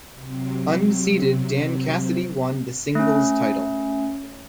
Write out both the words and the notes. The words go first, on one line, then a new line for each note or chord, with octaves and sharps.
Unseeded Dan Cassidy won the singles title.
C3 F#3 C4
A3 C#4